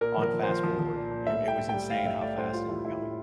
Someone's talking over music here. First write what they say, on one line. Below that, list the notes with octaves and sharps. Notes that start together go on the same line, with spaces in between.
on fast forward. It it was insane how fast they were going.
A#2 A#4
F3
A#4
F3
C5
F3
F3
F3
A#2
A#2
A2 E5
G3
G5
A2
G3 G5
A2 F5
G3 E5
A2 D5
A2 C5
G3 F4
G3 E4
A2 E4
A2